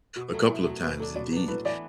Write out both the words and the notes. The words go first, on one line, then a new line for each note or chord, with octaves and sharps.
a couple of times indeed,
B2 F#4
F#3 A3 A4
B2 E4
E4
F#3 A3
B2 B4
F#3 D4 A4
B2 D5
F#3 D4 B4
A2 B4
E3 B3 D4 D5